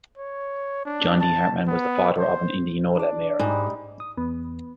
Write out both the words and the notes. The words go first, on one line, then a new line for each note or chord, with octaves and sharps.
John D. Hartman was the father of an Indianola mayor.
C#5
D4
A5
B3
C5
D4 D5
G#2 G3 D#4
D#6
E2 B3